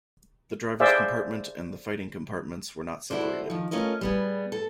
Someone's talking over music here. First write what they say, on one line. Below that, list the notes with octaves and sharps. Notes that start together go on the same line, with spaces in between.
The driver's compartment and the fighting compartments were not separated.
G#4 C5 D5 E5 F5
E4 F#4 A4 C5 D5
D#3 F3
A3 C#4 F4 A#4 D#5
G3 B3 G#4
A4